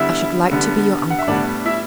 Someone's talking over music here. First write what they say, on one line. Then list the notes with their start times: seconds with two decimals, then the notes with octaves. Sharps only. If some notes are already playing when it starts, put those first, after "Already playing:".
I should like to be your uncle.'
Already playing: D3 G3 B3 E4 E5
0.51 D3 G3 B3
1.10 F#5
1.19 E5
1.28 A2 G3 B3 D4 D5
1.66 E4 E5